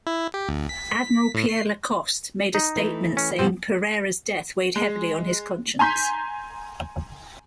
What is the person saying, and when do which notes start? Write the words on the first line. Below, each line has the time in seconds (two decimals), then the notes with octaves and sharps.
Admiral Pierre Lacoste made a statement saying Pereira's death weighed heavily on his conscience.
0.07 E4
0.34 G4
0.49 D2
0.69 B6
1.34 A2
1.49 C7
2.54 D#4
2.76 E3 A3
3.17 C#4
3.39 B2 G3 C4
4.76 G#3
5.79 G#5 A#5 C6 G6 B6